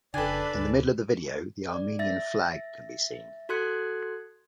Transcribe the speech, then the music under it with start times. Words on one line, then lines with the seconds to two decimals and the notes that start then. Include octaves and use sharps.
In the middle of the video the Armenian flag can be seen.
0.14 F1 C#3 D4 A4 B4 D5 G#5
0.55 D2
1.74 D5
1.99 E5 A6 A#6
3.49 F#4 A4 C6 F#6 G#6 C#7